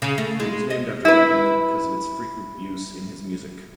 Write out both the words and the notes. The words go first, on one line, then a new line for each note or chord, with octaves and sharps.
It was named after Landini because of its frequent use in his music.
C#3
A3
G#3
D#5
E4 B4